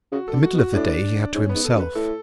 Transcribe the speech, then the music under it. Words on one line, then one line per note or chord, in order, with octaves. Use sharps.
The middle of the day he had to himself.
C#3 F#4
D3 A4
F#4
B2
F#4
A2 D4
G#2 C#4
B3
G#2
A4
F#2
B4
A2 A4